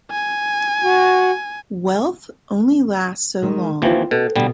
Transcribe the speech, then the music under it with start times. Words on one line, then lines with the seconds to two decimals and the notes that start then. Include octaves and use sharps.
Wealth only lasts so long.
0.11 G#5
0.84 F#4
3.42 D#3 G#3
3.82 D#2 E3 F3 C4 F4
4.11 B2 A4
4.36 B2 D3 G3